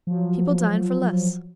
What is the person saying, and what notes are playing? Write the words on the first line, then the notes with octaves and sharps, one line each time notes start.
People dine for less.
F3 F#3